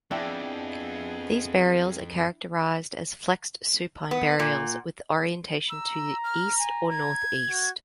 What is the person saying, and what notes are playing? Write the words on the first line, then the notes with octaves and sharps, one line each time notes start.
These burials are characterized as flexed supine burials with orientation to east or northeast.
F2 B3 D4 E4 G#4 E5 G5
B3
A#2
A#5 E6
F6
G#5
G#6
F#4